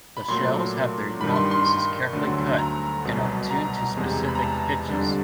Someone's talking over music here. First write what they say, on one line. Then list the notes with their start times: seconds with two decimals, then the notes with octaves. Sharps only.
The shells have their mouthpieces carefully cut and are tuned to specific pitches.
0.17 B5
0.28 A#2 F#3 A3 C6
1.21 G2 D#3 G3 B5
1.36 C6
1.51 C6
1.67 C6
2.13 D2 D3 F#3 A3
2.58 A#5
3.05 C2 B2 F#3
3.51 A#5
3.97 E2 C3 E3 G#3
4.28 B5
4.35 A#5
4.43 A5
4.88 F2 D3 G3